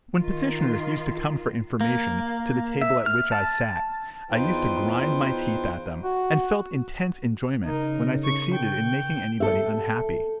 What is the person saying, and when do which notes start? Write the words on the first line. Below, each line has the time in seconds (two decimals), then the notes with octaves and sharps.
When petitioners used to come for information to the table at which I sat, I used to grind my teeth at them, and felt intense enjoyment when I succeeded in making anybody unhappy.
0.18 D#3 F4
1.81 A#3
2.81 E5
3.06 F6
3.32 A5
4.31 E2 D#4 F4 B4 C5 G5
6.03 F#4
7.65 C#3 D#4 A#4
8.24 C#6
8.54 G5
9.40 A4 E5